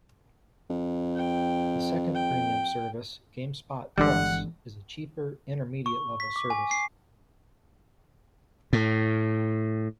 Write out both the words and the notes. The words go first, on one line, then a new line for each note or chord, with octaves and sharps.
The second premium service, GameSpot Plus, is a cheaper, intermediate-level service.
F2
G5
G5
G1 D3 E3 G3 G#3 D4 F#5
C#6
B6
D6
G#5
C7
A2